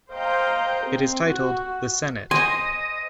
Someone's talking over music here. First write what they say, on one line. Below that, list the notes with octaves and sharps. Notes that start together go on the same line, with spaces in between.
It is titled, The Senate.
C5 D#5 F5 G5 A#5
C4
F#4
C5 D#5 G#5 C6